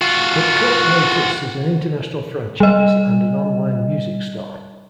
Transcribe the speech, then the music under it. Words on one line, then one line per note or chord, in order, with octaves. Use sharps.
It currently exists as an international franchise and an online music store.
F4 F#4
G3 D#5